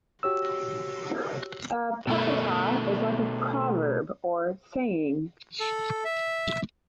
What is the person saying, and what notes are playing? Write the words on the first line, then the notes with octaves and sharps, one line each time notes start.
A "Pepatah" is like a "proverb" or "saying".
F#4 G4 C#5 E6
B2 A3
A4
E5